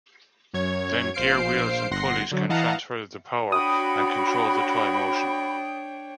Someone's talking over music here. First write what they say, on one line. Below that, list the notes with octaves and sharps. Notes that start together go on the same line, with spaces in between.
Then gear wheels and pulleys can transfer the power and control the toy motion.
F#2 C#5 G#6
A#1 C5 F5 C7 D7
G1 F#5 C6 A#6 C7
D3 F#3
E3 D#5 F5 F#5 A5 A#5
D4 F#4 C#5 G5 B5 D#6